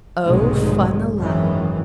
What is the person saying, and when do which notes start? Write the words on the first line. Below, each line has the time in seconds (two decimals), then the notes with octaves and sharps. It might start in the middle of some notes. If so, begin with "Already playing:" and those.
Oh, fun alive!
0.24 F1 B1 G#2 D#3 G#3
1.17 G#1 F#2 D#3 E3